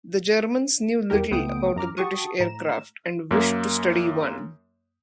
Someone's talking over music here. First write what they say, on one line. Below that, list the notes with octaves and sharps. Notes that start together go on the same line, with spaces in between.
The Germans knew little about the British aircraft and wished to study one.
E2 G3 G4 A#4
C#2 A3 B3 G5 D#6 D7
F#2 A#5 D6 F6
F#4 G4 A5 C#6 D#6
A2 A#5 E7
F#2 A#3